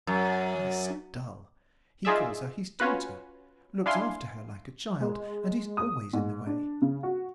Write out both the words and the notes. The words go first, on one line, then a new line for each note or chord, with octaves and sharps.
He is so dull; he calls her his daughter; looks after her like a child; and is always in the way.
F#2
D#4 F4 G#4 D5 E5
C#4 F4 F#4 B4
D4 E4 F5 G#5 C6
G#3
D#6
G#2
D4
C#3
F#4